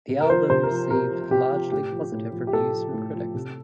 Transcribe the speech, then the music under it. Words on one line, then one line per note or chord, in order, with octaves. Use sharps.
The album received largely positive reviews from critics.
C3
A#4
F3 C5
C3 C5
A#4
F3
C3 A#4
F3
C3 G4
F3
A2 G4
F3
A2
F3
G4
A2 A4
F3
A2
F3
C3